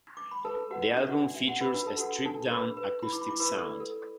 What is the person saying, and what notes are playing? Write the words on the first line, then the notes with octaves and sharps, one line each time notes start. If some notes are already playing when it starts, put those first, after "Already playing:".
The album features a stripped down, acoustic sound.
D6
B5
A4 B4 A5
F#4 B4 F#5
D4 E5
F#4 F#5
D4 D5
E5
F#4 F#5
B4 B5
D4 B4 B5
A4 A5
F#4 A4 F#5
D4 A4 A5
B4 B5
B4
E4 B5
D6
B5
E4 D6
B4 B5
A4 D5
A4